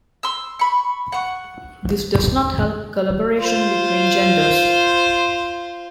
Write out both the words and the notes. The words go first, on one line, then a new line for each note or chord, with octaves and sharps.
This does not help collaboration between genders.
C6 E6
B5 C#6
F#5 C#6
F4 C5